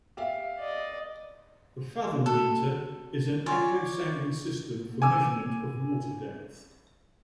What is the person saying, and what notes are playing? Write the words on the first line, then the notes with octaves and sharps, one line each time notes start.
The fathometer is an echo sounding system for measurement of water depth.
G4 E5 F5
D5 D#5
F#4 A4
F4 C#5 D5 G#5 C6
G#5 D6 E6